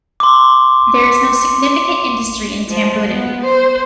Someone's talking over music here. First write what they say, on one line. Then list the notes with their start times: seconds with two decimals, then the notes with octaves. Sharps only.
There is no significant industry in Tambunan.
0.20 C6 D6
2.69 F3
3.10 B3
3.44 C5